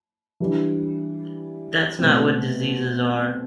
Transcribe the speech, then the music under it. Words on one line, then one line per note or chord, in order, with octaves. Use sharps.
That's not what diseases are.
E3 G3 D4
B2 A3 C4